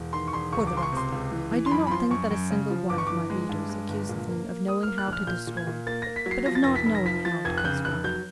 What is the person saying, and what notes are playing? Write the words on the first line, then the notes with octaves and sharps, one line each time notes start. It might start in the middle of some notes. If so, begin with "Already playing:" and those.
For the rest, I do not think that a single one of my readers accuses me of knowing how to destroy, but of not knowing how to construct.
Already playing: E1
D#3 C6
C#6
E1 C6
C#2 C#6
D6
C#2 C6
C#6
C3 C6
C#2
E3
E3
C6
F#2 B5
B5
F3 C6
F#2 C#6
F#2
C#3
F3
G1 D6
C#6
E3 D6
G#3
G2
G#3
G1
A#2
A#3
A#3
A#3 D#6
A#3 F6
F#6
A#1 F6
A#2 G6
A#2
G#6
A#2
A#3 A6
A#3 A#6
B6
F#3
C7
F3 A#6
A6
F1 A#6
B6
F1
A#6
F3 B6
F3 A6
F1 G#6
F#6
C#3 G6
F1 F#6
F#3 G6